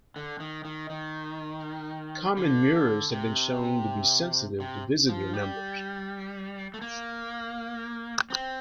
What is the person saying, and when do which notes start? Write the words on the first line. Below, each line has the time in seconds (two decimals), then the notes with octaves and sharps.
Common murres have been shown to be sensitive to visitor numbers.
0.16 D3
0.40 D#3
0.65 D#3
0.90 D#3
2.37 D3
3.12 C3
4.60 C3
5.09 F3
5.33 G3
6.74 A3
6.81 A#3
8.30 C4